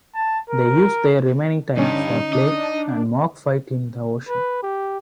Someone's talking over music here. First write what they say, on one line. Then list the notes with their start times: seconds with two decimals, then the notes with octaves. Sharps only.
They use their remaining time for play and mock fights in the ocean.
0.15 A5
0.50 A#4
1.77 G2 D3 G3 C#4 D#4
2.33 D4 D#5
4.28 B4
4.63 G4